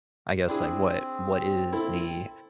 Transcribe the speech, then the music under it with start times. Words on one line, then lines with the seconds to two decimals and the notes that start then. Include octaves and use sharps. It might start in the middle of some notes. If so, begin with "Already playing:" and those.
I guess, like, what what is the
0.47 C4 D4 E4 G#4
1.73 E4 A4